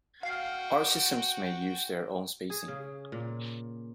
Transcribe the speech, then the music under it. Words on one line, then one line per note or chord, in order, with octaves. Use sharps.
Other systems may use their own spacing.
F#4 F5 G5
G#4
C#3
A#2